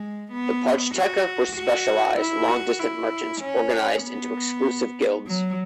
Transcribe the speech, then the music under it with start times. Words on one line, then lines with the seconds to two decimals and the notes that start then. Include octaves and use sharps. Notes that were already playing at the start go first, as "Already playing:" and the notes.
The pochteca were specialized long distance merchants organized into exclusive guilds.
Already playing: G#3
0.32 B3
0.94 F#4
1.55 F#4
2.18 E4
2.48 F#4
2.79 E4
3.41 C#4
4.03 B3
5.26 F#3